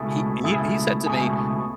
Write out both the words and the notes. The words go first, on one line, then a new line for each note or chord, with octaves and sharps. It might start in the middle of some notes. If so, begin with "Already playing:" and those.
he he he said to me,
Already playing: C#2 B2 A3 E4 G#4
C#2 B2 A3 E4 G#4
C#2 B2 A3 E4 G#4